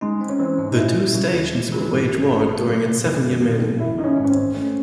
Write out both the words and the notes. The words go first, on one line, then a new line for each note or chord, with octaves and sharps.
The two stations would wage war during its seven-year melee.
G#3 D#4
C4
C#4
E3 C4
G#2
D#4
C#4 E4
F#3
C#3
D#2
G#3
E3
G#2
G#1
C4
A3
F#3
C3
F#2
G#3
D#3
F#2
A1 E4
D#3 D#4
C#4
G#2
C#4
C4
A1
A3 C#4